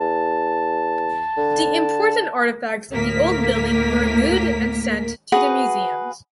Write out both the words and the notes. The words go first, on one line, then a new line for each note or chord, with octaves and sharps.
The important artefacts in the old building were removed and sent to the museums.
E2 A5
D3
D2 A2 A#3 A#4 B6
F#4 G#4 B4 F#5